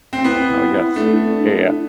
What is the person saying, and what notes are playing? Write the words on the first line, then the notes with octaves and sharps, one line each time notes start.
Oh, yes. Yeah, yeah.
C4
B3 E4
A3 D4
C4
D4
D4
E4